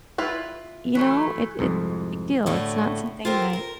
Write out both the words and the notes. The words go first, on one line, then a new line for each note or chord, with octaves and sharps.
You know, it it big deal, it's not something that
E4 F4 B4
E3 F#3 A3
C2 F2 G#2
A2 D3 A3 F#4
F4 G4 A4 A#4 C5
A#4